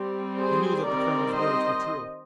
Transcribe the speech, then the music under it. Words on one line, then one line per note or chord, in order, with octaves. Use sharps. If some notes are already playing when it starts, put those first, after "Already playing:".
He knew that the colonel's words were true.
Already playing: G3 C4
G#4 C5
D#3 G3 C4 A#4 D5
C5 D#5